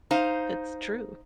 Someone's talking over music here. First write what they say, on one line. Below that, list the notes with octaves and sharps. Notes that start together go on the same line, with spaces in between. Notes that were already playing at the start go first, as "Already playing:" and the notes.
It's true.
D#4 C5 F5